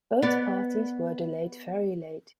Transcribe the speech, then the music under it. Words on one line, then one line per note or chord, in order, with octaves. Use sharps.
Both parties were delayed very late.
B3 D5